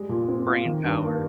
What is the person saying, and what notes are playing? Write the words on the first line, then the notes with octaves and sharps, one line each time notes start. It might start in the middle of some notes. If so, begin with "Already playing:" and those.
brain power.
Already playing: G3 G#3
A#2
C4
F4
D#3
G2
A#3